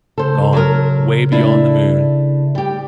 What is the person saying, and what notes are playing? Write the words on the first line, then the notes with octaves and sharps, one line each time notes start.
gone way beyond the moon
C#3 A4 C5
F#3 A4 A#4
A3 D4 E4
G3 G4